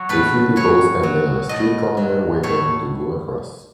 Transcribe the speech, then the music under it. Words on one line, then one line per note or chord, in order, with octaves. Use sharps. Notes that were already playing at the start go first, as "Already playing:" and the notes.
A few people standing on a street corner waiting to go across.
Already playing: F#3 C#5
A2 B4
F#3 C#5
F#3
A2 D#5
F#3
A2 C#5